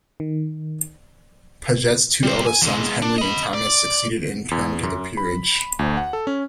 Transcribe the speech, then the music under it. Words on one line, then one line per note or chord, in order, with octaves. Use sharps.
Paget's two eldest sons, Henry and Thomas, succeeded in turn to the peerage.
D#3
G3 C5
G#5
E2 G#3
D4
D#5 B5
D5
E2
F#2
B5
D2
F#5
A4
C#4